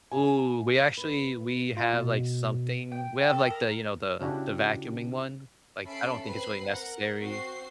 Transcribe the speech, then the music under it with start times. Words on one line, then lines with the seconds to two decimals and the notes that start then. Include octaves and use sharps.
Ooh, we actually we have, like, something we have like the, you know, the the vacuuming one, like I don't think it's really necessary
0.11 G#5
0.97 B4
1.77 F4
1.93 B2
2.92 G5
3.30 A4
3.50 A#4
4.21 C#3 C#4 D4 E4 F#4 G4
5.86 C#4 A4 E5 B5 C7 D7
6.24 C4 B4 B5 C7
6.65 A#4 F#5
7.20 C4 F#4 C7